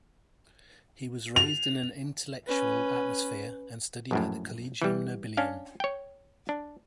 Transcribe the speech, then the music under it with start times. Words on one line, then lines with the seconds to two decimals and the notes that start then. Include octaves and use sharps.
He was raised in an intellectual atmosphere and studied at the Collegium Nobilium.
1.36 F7
2.47 C#4 B4
4.11 A#1 F#2 A2
4.82 E3 G3
5.37 C#4 D4 F5
5.80 C#5 G5
6.49 D4